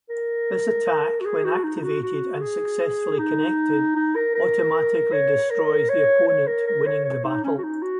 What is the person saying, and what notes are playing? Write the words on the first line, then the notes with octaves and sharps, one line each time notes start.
This attack, when activated and successfully connected, automatically destroys the opponent, winning the battle.
A#4
F#4
G#4
F#4
D#4
D#4
F#4
F#4
G#4
D#4
D#4
A#4
A#4
C#5
A#4
C#5
C#5
A#4
A#4
C#5
C#5
D#4
C#4
F#4
D#4
F#4